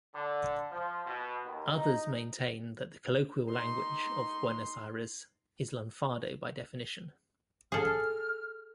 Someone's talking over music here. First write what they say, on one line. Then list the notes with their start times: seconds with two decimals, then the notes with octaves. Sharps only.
Others maintain that the colloquial language of Buenos Aires is lunfardo by definition.
0.15 D3
0.72 F3
1.07 B2
1.46 D#2
1.76 D#4
3.48 D#4 C6
7.72 G#4 A4 F6